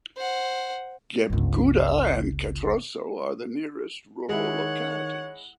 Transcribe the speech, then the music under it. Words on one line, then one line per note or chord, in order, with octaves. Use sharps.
Gebguda and Katroso are the nearest rural localities.
C5 F#5
G1 C#2
D#3 G#3 E4 C#5 F#5